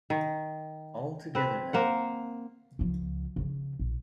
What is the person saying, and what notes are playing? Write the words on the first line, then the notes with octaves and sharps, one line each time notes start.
All together now.
D#3
C4 B4
A#3 C5 F#5
C#2 F3
C#3 F3
A#1